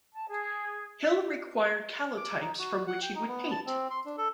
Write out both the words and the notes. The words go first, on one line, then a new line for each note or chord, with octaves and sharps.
Hill required calotypes from which he would paint.
A5
G#4
E5
D6
D#4
F#4
F#5
G5
D#4
B3
A5
C4
C6
D4
A4